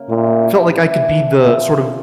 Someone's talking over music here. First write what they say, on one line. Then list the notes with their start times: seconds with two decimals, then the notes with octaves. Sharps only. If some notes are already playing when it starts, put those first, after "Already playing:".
felt like I could be the, sort of,
Already playing: C#3 A#3 C#4
0.09 A#2 A3
0.27 G4
0.43 E4
0.60 E4
0.77 E3
0.94 D4
1.10 A4
1.28 E3
1.45 A#2 F3
1.61 F4
1.78 C#4